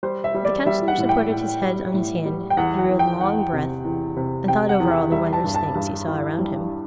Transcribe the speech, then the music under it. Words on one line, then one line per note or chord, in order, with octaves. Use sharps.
The Councillor supported his head on his hand, drew a long breath, and thought over all the wondrous things he saw around him.
G3 C5
E5
G3
D5
G3 E5
F#5
A2
G5
A2
G3
A2
G3
G5
E2 F#5
F#5
E2
G5
E2 F#5
C3
E2
C3
C3 G5
F#5
E2
E5
G3 E5
A5
G2
A5
G2
E3
G3